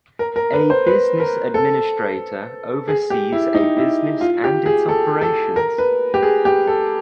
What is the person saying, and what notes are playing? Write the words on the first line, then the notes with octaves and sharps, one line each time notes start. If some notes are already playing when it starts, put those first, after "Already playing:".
A business administrator oversees a business and its operations.
A#4
A#4
B4
C5
B4
A#4
A4
G#4
G4
E4
D#4
E4
F4
G4
G#4
A4
A4
A#4
B4
G4
G#4
G4
A4